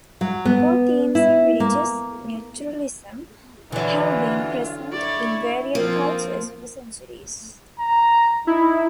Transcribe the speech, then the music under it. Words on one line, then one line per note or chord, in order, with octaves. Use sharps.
Core themes in religious naturalism have been present, in varied cultures, for centuries.
F#3
B3
E4
A#3
D3 E3 F#3 F4
E4 C#5 D5
F3 A#3 C4 F4
A#5
D#4 E4